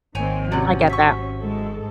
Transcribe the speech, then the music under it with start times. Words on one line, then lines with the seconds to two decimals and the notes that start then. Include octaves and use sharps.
Mhm, I get that.
0.15 G#1 D#3 A#3 C4 C#5 G5 G#5
0.52 C3 F#3 C#4 D5
0.89 E5 C#6
1.41 G#2 G#3 A4